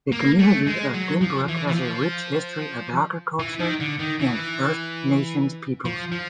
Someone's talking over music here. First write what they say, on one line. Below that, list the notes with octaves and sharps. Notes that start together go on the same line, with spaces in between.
The community of Binbrook has a rich history of agriculture and First Nations peoples.
A#3
A3
G#3
F#3
F3
E3
E3
F3
E3
D#3
D3
D#3
E3
F3
F3